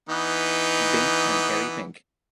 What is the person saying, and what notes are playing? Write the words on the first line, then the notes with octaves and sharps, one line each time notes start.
Binks and Kerry Pink.
E3 B3 D#4